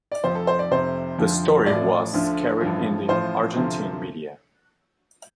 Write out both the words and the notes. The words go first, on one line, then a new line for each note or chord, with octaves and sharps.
The story was carried in the Argentine media.
D5
F1 F2 F3 C5
A4
C5
D5
F1 F2 C3 C5
F1 F2 D3 F3
A1 A2 F3 D5
D2 D3 F3
A1 G2 F3
A1 A2 F3 C5
D2 C3 F3